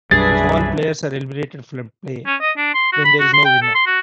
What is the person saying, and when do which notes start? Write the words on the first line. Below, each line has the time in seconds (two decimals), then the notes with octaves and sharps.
If all players are eliminated from play, then there is no winner.
0.11 B1 F#2 G3 D4 G#4 B4 E5 A6
2.27 C#4
2.41 D#5
2.57 D4
2.75 C6
2.93 F#4
3.04 B5
3.20 F#4
3.34 C6
3.45 G5
3.62 A4
3.75 C6
3.87 F#4